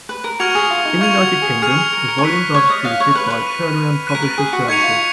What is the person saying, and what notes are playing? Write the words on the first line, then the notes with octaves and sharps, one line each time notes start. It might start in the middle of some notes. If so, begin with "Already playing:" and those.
In the United Kingdom, the volumes are distributed by Turnaround Publisher Services.
B4
A#4
F#4 C#6 F6 G#6 C#7 F7
G#4
F4
D#4
F4 C#6 F6 G#6 C#7 F7
F#4
G#4
G#4 C#6 F6 G#6 C#7 F7
G#4
A#4
A#4
C#5
B4 F#6 B6 D#7
C#5
D#5
F5 F#6 B6 D#7
C#5
B4
B4
F#6 B6 D#7
F#6 B6 D#7
A#4
B4
G#4
F#4
D#4 C#6 G#6 C#7 F7
F4